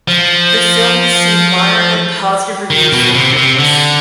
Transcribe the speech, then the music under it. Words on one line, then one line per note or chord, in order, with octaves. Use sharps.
The film received moderately positive reviews from critics.
F3
D#3
B2
C3
C3
D3